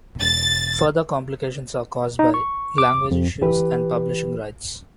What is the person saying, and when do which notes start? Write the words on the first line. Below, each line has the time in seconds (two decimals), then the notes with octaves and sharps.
Further complications are caused by language issues and publishing rights.
0.21 E1 A6
2.19 D#4
2.34 C#6
2.78 D6
3.11 F2
3.42 E3 G4 B4